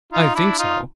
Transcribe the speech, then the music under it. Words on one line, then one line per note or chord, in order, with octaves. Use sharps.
"I think so."
D#4 F4
D4 E4
D#4 F4